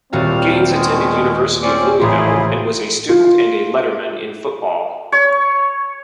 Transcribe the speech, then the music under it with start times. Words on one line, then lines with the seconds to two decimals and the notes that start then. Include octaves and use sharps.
Gaines attended University of Louisville, and was a student and a letterman in football.
0.13 D#1 G3 C4 F#4 F5
0.71 B2 D#3 G#3
1.62 C4 C#4 C5 D5
2.01 A1 C#3 E4 F4 G#4
3.09 F4
5.12 C#5